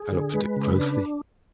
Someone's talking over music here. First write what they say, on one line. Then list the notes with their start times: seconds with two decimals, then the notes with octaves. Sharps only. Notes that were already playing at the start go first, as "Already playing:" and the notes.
I looked at it closely.
Already playing: G#4
0.11 D3
0.34 G#3 B4
0.56 C#3
0.78 D4